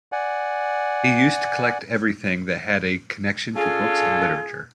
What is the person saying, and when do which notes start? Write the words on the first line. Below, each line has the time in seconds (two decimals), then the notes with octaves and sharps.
He used collect everything that had a connection to books and literature.
0.12 D5 F#5 G#5
3.55 C#4 D4 F4 G#4 A4